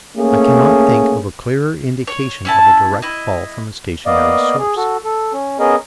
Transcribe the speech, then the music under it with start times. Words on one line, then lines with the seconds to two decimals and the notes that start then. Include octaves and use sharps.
I cannot think of a clearer indication of a direct fall from a stationary source.
0.17 A3 A#3 C#4 G#4
2.07 C#5
2.45 C#4 E4 A5
3.02 E4 D#5
4.06 A#3 B3 D5 D#5 F5
4.59 G#4
4.77 F#4 A4
5.04 A4
5.33 C#4
5.59 B3 C#4 G#4 A#4 D#5